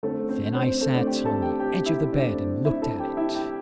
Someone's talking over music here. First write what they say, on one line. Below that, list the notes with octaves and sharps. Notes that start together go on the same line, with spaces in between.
Then I sat on the edge of the bed and looked at it.
D3 A3 C4 A4
C4 C5
C4 C5
A3 A4
D4 D5
G4 G5
A4 A5
G4 G5
G4 G5
E4 E5
D3 A3 C4 D4 D5
E4 E5
A4 A5
G4 G5
E4 E5
G4 G5